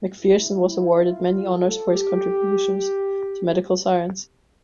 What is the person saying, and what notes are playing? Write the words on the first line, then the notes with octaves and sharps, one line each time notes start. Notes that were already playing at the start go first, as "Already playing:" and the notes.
Macpherson was awarded many honours for his contributions to medical science.
E4
E4
F4
A4
G4